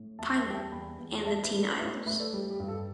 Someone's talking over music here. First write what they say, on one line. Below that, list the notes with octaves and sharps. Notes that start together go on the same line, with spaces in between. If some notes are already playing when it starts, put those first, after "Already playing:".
Pilot, and the Teen Idols.
Already playing: A2
E2 E5 A5
E5 A5
G3 G5
E5 A5
E2 G5 B5
E2
A2 E5 A5
B4 E5
A2
A4 D5
A2 B4 E5
A2 B4 E5
A4 D5
G3 A4
G4
G2
A4